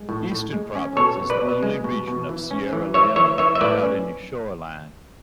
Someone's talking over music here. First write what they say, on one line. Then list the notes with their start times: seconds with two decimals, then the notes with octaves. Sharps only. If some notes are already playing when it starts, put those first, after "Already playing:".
Eastern Province is the only region of Sierra Leone without any shoreline.
Already playing: G#3
0.09 A2
0.32 A2
0.53 G#3
0.75 C#4
0.97 B2 A4 C#5
1.20 B2
1.30 B4 D5
1.41 B2
1.63 G#3
1.84 B2
2.08 B2
2.29 E3
2.51 C#4
2.73 E3
2.94 E3 C#5 E5
3.16 E3 C#5 E5
3.38 E3 C#5 E5
3.55 E5
3.61 A2 B4 D5
3.82 C#4